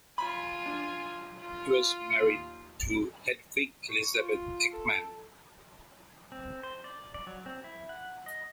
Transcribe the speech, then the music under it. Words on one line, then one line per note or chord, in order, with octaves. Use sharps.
He was married to Hedvig Elisabeth Ekman.
F4 G#5 B5
D4
F4
D#2
C#6
F4
A4
C4
C5
D5
D5
F#3
C4
E4
F#5
D#5